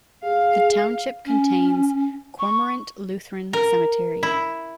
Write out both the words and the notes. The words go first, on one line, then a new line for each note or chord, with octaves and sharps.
The township contains Cormorant Lutheran Cemetery.
G#4 F5
C#4
C#6
A#4
E4